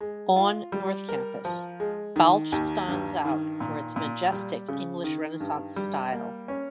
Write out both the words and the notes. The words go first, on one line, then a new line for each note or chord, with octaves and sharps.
On North Campus, Balch stands out for its majestic English Renaissance style.
G#3
F4
G3
A#4
F3
G#3
D#3
D#2
G2
D#3
A#2
A#2
G3
C#3
D#3
G2
G3
A#3
C#4